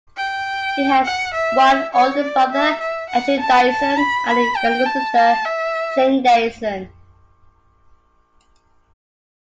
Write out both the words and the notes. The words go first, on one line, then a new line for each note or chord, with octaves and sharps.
He has one older brother, Andrew Dyson, and a younger sister, Jayne Dyson.
G5
F#5
E5
C#5
D5
E5
E5
F#5
A5
A5
B5
B5
G5
A5
A5
E5